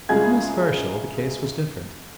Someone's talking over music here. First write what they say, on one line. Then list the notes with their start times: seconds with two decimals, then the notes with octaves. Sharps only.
With Miss Herschel the case was different.
0.09 F#1 G#3 F4 G#4 G#6